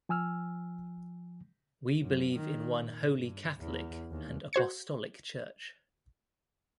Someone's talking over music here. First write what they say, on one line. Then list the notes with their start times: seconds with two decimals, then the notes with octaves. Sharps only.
We believe in one holy catholic and apostolic Church.
0.09 F3 G#5 E6 F6
2.03 F#2
2.33 D#3
2.79 A#2
3.20 G2
3.58 E2
4.10 D#2
4.53 F#4 C5 G#6 C#7